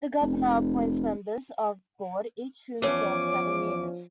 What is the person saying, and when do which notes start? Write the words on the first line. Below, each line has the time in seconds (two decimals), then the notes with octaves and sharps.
The governor appoints members of the Board, each of whom serve seven years.
0.22 F1
2.82 E2 F3 C#4 D6